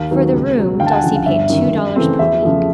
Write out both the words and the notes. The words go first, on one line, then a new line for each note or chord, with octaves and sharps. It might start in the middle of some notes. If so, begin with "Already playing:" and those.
For the room, Dulcie paid two dollars per week.
Already playing: D#2 F5
D#3 F#3 B3
C#2
B2 F#3
D2 F5 G5
A5
F#5 G#5
C#3 F3
F5
G1 E5
F#2 D#3
F#2
C#3 E3 A3 C4
E2 E5
C#3 F3 A3